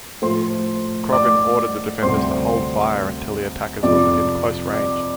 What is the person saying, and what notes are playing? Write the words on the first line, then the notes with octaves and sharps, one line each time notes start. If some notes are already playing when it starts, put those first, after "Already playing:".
Croghan ordered the defenders to hold fire until the attackers were within close range.
A2 F3 A3 C5 C6
D5 D6
D2 C3 G3 C5 C6
F2 C3 F3 D5 D6
D5 D6